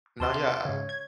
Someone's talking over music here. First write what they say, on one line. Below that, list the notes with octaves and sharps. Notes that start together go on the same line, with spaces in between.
No, yeah
D#2 C3 D5 A5 C6 F6
G#2 C#3 C#5
G#6